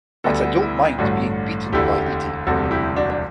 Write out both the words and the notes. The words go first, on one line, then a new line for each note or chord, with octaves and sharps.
But I don’t mind being beaten by Edie.
D2 D3 G3 B3 F#4 A4
E4
A1 G2 D3 A3 D4 F#4
E1 D2 D3 E4 G4
E1 D2 C3 G3 F#4 A4
E4 G4
D4 F#4
D4